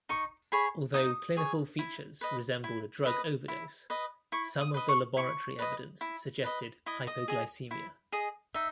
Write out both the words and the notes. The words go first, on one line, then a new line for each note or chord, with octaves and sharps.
Although clinical features resembled a drug overdose, some of the laboratory evidence suggested hypoglycemia.
D#4 C#6
G#4 C#5 B5
D#4 D#6
G#4 C#5
E4
B4 D#5
E4
B4 D#5
E4
B4 D#5
E4 C#6
D#6
B4 D#5
C#6
E4 C#6
B4 D#5
E4
B4 D#5
E4 D#5
D#5
G#4 D#5
E4
G#4 D#5
D#4 E5